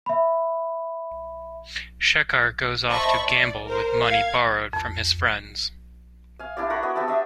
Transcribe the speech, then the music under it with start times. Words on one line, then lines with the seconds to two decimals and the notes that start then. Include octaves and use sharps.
Shekhar goes off to gamble with money borrowed from his friends.
0.06 E5 B5
2.89 C5 D#5 E5 A5 B5 C#6
3.24 D5
3.66 A#4 C5
4.01 F5 G#6
4.73 F2
6.39 F5 G#5
6.57 D4 E4 G4 D5
6.70 A#4 F#5 B5 C#6
6.83 B3 F#4 D#5
6.96 B3 G4 E5 A5
7.08 B3 D4 D#5 E5